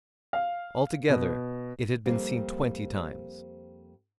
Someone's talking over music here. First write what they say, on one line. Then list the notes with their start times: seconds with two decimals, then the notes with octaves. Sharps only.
Altogether it had been seen twenty times.
0.33 F5
1.09 B2
2.06 F2 G3 A#3 C4